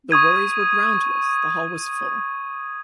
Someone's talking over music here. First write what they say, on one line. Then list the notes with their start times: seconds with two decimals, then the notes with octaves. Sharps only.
The worries were groundless: the hall was full.
0.11 C#6 D#6 G#6 D#7